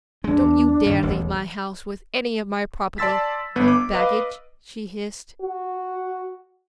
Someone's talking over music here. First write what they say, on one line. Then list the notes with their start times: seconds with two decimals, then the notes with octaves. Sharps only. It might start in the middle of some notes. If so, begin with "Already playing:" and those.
"Don't you dare leave my house with any of my property, you baggage," she hissed.
0.24 F2 G#3 D4
0.40 E2
0.86 G2 D#3
1.03 E1 A1 D#2
2.98 D5 A5 C6 E6 A6 B6
3.56 G1 B3
3.68 D6
3.94 B4 D#5 F5
5.41 F#4